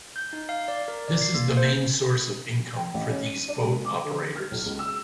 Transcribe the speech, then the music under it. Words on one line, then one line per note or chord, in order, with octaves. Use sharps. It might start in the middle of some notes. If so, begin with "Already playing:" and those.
This is the main source of income for these boat operators.
G6
D#4
F5
D5
A#4
D5
C7
A#3
C5
G5
A1
C#4
D#7
D4
G#3
D6
D3
F6
B1
C#2
E6